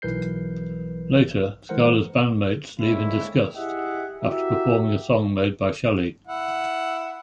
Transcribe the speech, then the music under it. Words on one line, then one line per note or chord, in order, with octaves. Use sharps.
Later, Skyler's bandmates leave in disgust after performing a song made by Shelley.
B1 E3 A#4 B4 G6 C7
E3 G#3 A#4 C5 F#5
D3 G#3 A#3 C4 C#4 E4
E4 G4 G#4 D#5 E5 F#5
E4 F#4 G4 A#4 E5
E4 F#5